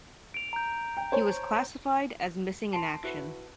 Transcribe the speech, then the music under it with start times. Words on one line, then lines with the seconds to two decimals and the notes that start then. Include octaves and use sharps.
He was classified as missing in action.
0.34 D7 F7
0.53 A#5 G6
0.97 G5
1.12 C5 C#5 A5
2.73 A5 C6 C7 D7
3.03 E4 F#4 B4